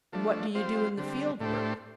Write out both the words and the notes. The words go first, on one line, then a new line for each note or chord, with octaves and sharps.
"And what do you do in the Field Work?"
F3 A3 D4
G3 C4 F4 C5
D3 G3 C4
A2 A3 D4 G4 C5